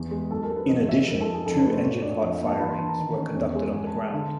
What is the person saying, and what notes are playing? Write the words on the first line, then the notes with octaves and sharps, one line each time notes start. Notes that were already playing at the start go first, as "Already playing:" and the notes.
In addition, two engine hot firings were conducted on the ground.
Already playing: E2 E3
G#3
F#2 A4
A#4
G#3
B4
E3 D#5
D#4 E5
F2 A#4
A4
F2
G#4
F2 A4
B4
A3
C5
A2 C#5
D4 D5
F2 D#5
F5
A#3
A5
E3 B5
C6
E3 A5
A#5
D#3
C#4
E2
G#3
E2 G#5
A5
B3
A5
D3